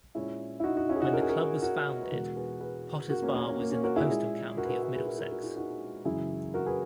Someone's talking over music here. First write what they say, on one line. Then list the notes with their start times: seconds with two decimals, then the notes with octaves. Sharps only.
When the club was founded, Potters Bar was in the postal county of Middlesex.
0.15 A#2 G#3 C#4 E4
0.60 E4
0.64 D#4 F#4
0.77 D#4 F#4
0.89 C#4 E4
0.96 G#4
1.00 D#4 F#4
1.13 A#4
1.22 G#4
1.29 F#4 A#4
1.62 F#4 A#4
2.01 B4
2.11 E2 B2 G#3 F#4 A#4
2.36 G#4 B4
2.60 G#4 B4
3.10 F#4 A#4
3.22 A#3 C#4
3.34 A#3 C#4
3.47 A#3 C#4
3.60 A#3
3.72 A#3 C#4
3.83 F#4 A#4
3.96 E4 G#4
4.08 A#2 G#3
4.57 F#4 A#4
4.65 B4
4.70 F#4 A#4
4.83 F#4 A#4
4.95 G#4 B4
5.06 F#4 A#4
5.19 F#4 A#4
5.32 F#4 A#4
5.43 E4 G#4
5.56 D#4 F#4
6.05 F#2 C#3 E3 G#3 E4 G#4
6.54 F#4 A#4
6.66 G#4 B4